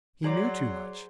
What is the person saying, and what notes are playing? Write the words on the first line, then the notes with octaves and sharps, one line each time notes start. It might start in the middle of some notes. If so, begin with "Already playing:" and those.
He knew too much.
F#3 G#4 C5 D5 A#5 D6 F#7